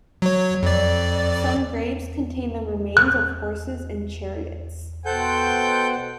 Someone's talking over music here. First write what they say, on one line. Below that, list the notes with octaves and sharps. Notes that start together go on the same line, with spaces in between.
Some graves contain the remains of horses and chariots.
F#3 C#5
F2 D5
F#6
B2 A4 C5 F#5 G5 G6